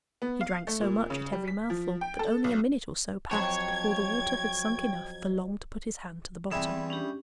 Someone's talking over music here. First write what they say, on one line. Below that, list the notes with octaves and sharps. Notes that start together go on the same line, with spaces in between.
He drank so much at every mouthful, that only a minute or so passed before the water had sunk enough for Long to put his hand to the bottom.
B3
F5
A3
A#2
C#3
G3
B6
F3
G5
A4
B1
F2 F#3 C#5 G5 A5 G#6
E2 G3 C4 E4 G#4
C#4 D4 G4